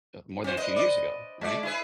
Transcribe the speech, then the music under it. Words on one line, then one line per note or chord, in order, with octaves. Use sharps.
more than a few years ago, right,
C4 F4 C5
D4 B4 C5 D#5
D5 D#5
G#3 D5
E4 G#4 B4